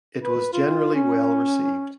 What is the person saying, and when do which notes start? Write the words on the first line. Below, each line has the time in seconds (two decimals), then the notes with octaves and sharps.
It was generally well received.
0.23 B4
0.53 F4
0.94 C#4